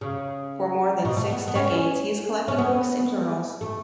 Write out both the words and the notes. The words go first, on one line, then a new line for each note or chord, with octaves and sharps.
For more than six decades he is collecting books and journals.
C#3
B2
A3
B3
B3
C#4
C#4
B3
A3